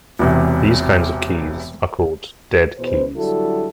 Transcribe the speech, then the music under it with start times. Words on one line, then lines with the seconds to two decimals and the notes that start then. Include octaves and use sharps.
These kinds of keys are called dead keys.
0.19 E1 E2 C3
2.79 E2 B2 B4 C5
3.17 D3 F#3 G3 E4 F#4 A4